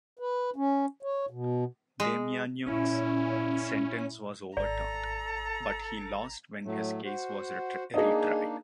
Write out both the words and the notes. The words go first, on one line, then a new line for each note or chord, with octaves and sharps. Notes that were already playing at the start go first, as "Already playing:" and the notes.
Demjanjuk's sentence was overturned, but he lost when his case was retried.
B4
C#4
C#5
B2
G#3
A#2 C#4 E4
G#1 A4 D5 A#5
A2 F#3 A3
F#4 C5 F#5
A#3 D4 D#4 G#4 D#5